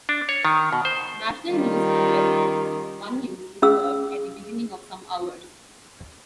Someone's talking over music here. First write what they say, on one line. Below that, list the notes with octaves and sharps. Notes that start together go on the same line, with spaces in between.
National news from Westwood One News is heard at the beginning of some hours.
D4
C#5
D#3
B2
C5
D#3 G3 C#4 F4
C#4 G#4 F5 E6